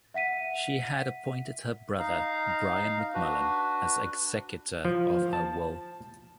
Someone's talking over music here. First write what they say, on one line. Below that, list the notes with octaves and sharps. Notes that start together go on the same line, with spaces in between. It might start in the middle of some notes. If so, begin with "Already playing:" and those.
She had appointed her brother, Brian McMullen, as executor of her will.
E5 F#5 B6 D#7
D#4 F5 A#5
D4 F#4 B4
F3
A5